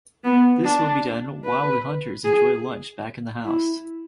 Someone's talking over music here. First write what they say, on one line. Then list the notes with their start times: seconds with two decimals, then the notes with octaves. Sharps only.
This will be done while the hunters enjoy lunch back in the house.
0.24 B3
0.64 D4
1.45 B4
2.24 G#4
3.45 E4